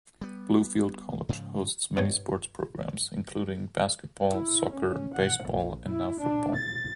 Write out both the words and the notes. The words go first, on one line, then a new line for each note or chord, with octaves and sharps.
Bluefield College hosts many sports programs, including basketball, soccer, baseball, and now football.
G3 B3
G#2 C#3 F3
G2 B2 D#3 C#5
E4
C#4
F#5
A#1
E4
D4
A6